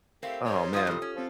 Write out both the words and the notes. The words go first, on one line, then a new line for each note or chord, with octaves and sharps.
Aw, man.
A3 C4 E4 G4 A#4 F5
G3 D#4 C5 C#5
F3 F4 D#6
G2 C3 F4 G4 A4
C#4
F3 C4 F4 A4 C5